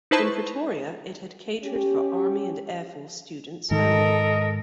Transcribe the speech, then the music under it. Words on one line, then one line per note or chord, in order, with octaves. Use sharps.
In Pretoria it had catered for army and air force students only.
D#4 E4 B4 C5 A5 C#6
C#4 G4
G#2 D#3 A4 A#4 D#5